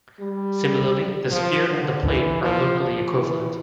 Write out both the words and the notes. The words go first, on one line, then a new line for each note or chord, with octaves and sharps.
Similarly, the sphere and the plane are locally equivalent.
G3
F3
D3
E3
F3
F3
E3